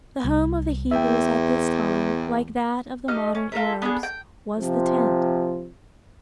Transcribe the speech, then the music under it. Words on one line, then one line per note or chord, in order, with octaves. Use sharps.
The home of the Hebrews at this time, like that of the modern Arabs, was the tent.
C2
E2 E5 G5
D#4 G4 D#5 F6
C#4
F4 A4 A#4 E5
B3 D4 E4 G#4
G5
C3 F3